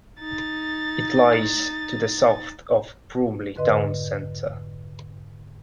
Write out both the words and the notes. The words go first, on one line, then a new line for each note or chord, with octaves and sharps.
It lies to the south of Bromley town centre.
D#4 A6
F2 G#2 D3 B4 D#5 C6